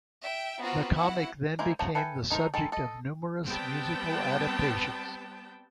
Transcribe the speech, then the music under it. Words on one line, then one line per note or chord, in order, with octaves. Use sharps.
This comic then became the subject of numerous musical adaptations.
E5 G5
B3 C4 F4 F#4 A#5
E4 F#4 F#5
G#3 A#3 E4 C5
F3 F#3 A3
A4 B4 E5 G5 G#5
A3 D#4 E4 A#4 C5
D#3 G#3 A4
A4 D#5
G3 B3 C4 G5 A5